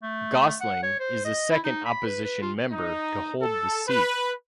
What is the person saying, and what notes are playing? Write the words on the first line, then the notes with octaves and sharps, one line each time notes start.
Gosling is the second opposition member to hold the seat.
A3
F#5
C#5
C5
D#5
E4
D#4
B5
B4
B4
F4
D#4
A4
B4